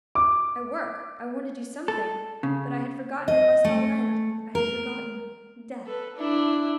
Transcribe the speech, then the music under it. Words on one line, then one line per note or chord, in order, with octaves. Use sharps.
"I work, I want to do something, but I had forgotten it must all end; I had forgotten--death."
D6
A4
C#3
D#5
A3
A#4
A4 B4
D4 E4